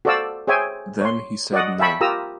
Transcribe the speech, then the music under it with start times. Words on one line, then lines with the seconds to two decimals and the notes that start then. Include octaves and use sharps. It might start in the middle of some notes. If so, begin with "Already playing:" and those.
Then he said no.
0.05 F#4 A4 C5 D5 F5 E6
0.47 G#4 C5 C#5 E5 G5 G#5
1.01 C#5 C6
1.53 F#4 D5 D#5 F#5 D#6
1.80 E5 F5 G5 A5 B5 C#6
2.01 F4 G4 A#4 A#5 D#6 E6